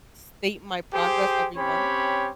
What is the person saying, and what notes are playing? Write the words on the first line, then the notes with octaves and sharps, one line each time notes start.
state my progress every month.
G4 G#4 C5 G5
C4 C#4 G4 C#5 B5